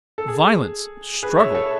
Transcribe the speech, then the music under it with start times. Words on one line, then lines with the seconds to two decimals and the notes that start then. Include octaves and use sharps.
"Violence! Struggle!"
0.18 A4
0.28 G#4
1.23 G#4 B4
1.38 C#5 E5
1.54 A4 C#5